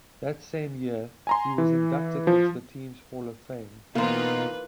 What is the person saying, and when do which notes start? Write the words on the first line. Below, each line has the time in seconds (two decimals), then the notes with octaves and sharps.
That same year, he was inducted into the team's Hall of Fame.
1.27 G#5 A#5 C6
1.58 E3
2.27 F3
3.95 B2 E3 A#3 D#4 F4 B4 C5